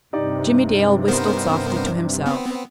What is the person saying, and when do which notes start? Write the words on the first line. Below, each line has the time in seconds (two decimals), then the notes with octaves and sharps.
Jimmie Dale whistled softly to himself.
0.13 G2 C3 D#4 G4 D5
1.08 B3 A#4 C5
2.26 B3 C4